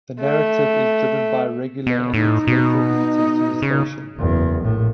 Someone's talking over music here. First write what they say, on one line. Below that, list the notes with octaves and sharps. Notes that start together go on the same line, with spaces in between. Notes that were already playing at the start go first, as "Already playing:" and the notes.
The narrative is driven by regular and incidental visitors to the station.
A3
B2
A2 D#4
B2
C#3
F#1 E2
A#1 A2